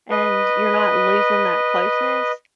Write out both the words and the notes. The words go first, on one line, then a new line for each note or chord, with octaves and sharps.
and you're not losing that closeness
B4 D#5